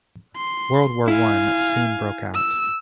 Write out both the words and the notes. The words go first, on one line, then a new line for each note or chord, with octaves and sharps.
World War One soon broke out.
C6
E4 F5 G#5
E6